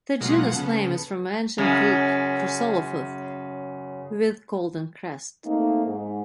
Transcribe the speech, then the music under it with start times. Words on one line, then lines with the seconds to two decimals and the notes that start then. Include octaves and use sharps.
The genus name is from Ancient Greek "khrusolophos", "with golden crest".
0.21 B2 F#3 G#3 A#3 F4 F#5
0.52 C#3 B3 A4
1.58 F#2 C#3
5.45 A3 A#3 C4 D#4
5.86 G#2 G#3